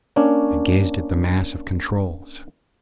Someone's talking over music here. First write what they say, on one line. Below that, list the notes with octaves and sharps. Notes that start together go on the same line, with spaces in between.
I gazed at the mass of controls.
A#3 C#4 D4 C#5